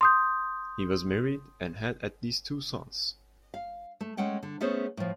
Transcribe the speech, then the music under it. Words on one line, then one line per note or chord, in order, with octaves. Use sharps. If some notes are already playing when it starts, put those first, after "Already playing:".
He was married and had at least two sons.
C6 D#6 G6
F5
A3
G#3 A3 C#4 F#5 G5
D3
A3 B3 C#4 G#4 C5 C#5
A2 F3